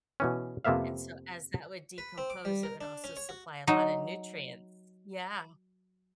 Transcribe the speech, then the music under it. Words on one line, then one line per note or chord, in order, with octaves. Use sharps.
and so as that would decompose it would also supply a lotta nutrients. Yeah.
B2 E3 C#4
F2 C3 A#3 B3 E5 F5
B4
C4
D6
G3
A#4
D4
C#4
C#5
F#4
F#3 D#4